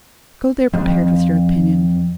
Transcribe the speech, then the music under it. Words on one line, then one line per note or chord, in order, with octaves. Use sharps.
Go there prepared with your opinion.
F2